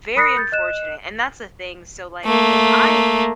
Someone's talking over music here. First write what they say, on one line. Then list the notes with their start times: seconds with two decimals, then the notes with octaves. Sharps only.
Very unfortunate, and that's the thing, so, like, if I,
0.16 A#4 B5 D#6 F#6 A#6 C#7
0.37 G6 A6
0.52 D#5 F#6 E7
2.25 A3 A#3